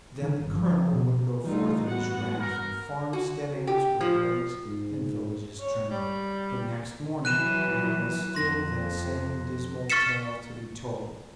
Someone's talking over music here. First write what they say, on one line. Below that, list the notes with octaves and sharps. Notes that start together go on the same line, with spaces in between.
Then the colonel would go forth in his wrath, and farmsteadings would blaze and villages tremble; but next morning there was still that same dismal tale to be told.
D#3
G1
F3
B2
E3 G3 A3 D#4 F4
B3 F#4 F#5
A#4
F#4
G4
F3
G#2
C#5
G3
E3 F#3 F#6 D#7 E7
F2 C6 A#6
C#6 F6 A6 B6 C#7 E7